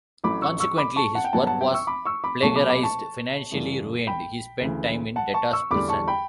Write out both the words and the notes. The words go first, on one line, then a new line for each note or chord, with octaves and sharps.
Consequently, his work was plagiarised; financially ruined, he spent time in debtors' prison.
A1 A2 F#3 B5 D6
C#6 E6
C#6 E6
B5 D6
A5 C#6
F#5 A5
G5
G2 F#3 B3 F#5 A5
F#5 A5
E5 G5
C#6 E6
B5 D6
C#6 E6
B5 D6
B1 B2 F#3 A3 A5 C#6
B5 D6
B5 D6
A5 C#6
F#2 C#3 E3 G3
G5 B5
D2 C#3 E3
F#5 A5
A5 C#6
C#6 E6
E2 D3 G3 B5 D6
A5 C#6
G5 B5